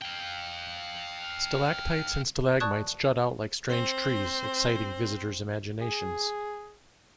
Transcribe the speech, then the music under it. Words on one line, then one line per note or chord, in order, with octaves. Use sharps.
Stalactites and stalagmites jut out like strange trees, exciting visitor's imaginations.
F5 G5
D5 A5 C#6 D#6 F#6 G#6
C4 C5
G#4